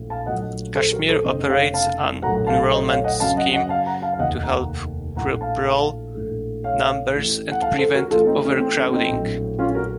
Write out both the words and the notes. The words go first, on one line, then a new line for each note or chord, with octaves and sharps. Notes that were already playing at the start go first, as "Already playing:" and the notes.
Cashmere operates an enrolment scheme to help curb roll numbers and prevent overcrowding.
Already playing: A#1 A2
F5 A5
A#1 A#2 F#3 A3 D#5 F#5
A4 C5
F#4 A#4
A4 C5
F1 F2 C#3 C5 D#5
C#5 F5
F5 A5
A#1 A2 F#3 A#3 F#5 A#5
F5 A5
C5 D#5
C#5 F5
D#5 F#5
F#2 C#3 F#3 F5 A5
D#5 F#5
D#5 F#5
F5 A5
F#5 A#5
F5 A5
F5
F1 D#2 D#3 A#3 D#5 F#5
F#5 A#5
A#1 A2 F3 F#5 A#5
F5 A5
A#1 A2 A3
C#5 F5
A1 A2 A3
F#5
F5 A5
A4 C5
F#4 A#4
A1 A2 A3 F4 A4
C4 D#4
C#4
C4
C#4
C4 D#4
A#1 A2 F#3
C#4 F4
F#4 A#4